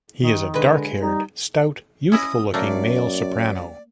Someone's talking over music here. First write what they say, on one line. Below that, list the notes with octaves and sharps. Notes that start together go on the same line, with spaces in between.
He is a dark-haired, stout, youthful-looking male soprano.
D#3
D3 G#3 B4
G3 D#4
C#4 E4 D#5 D#6
F#2 A3 A#3 D5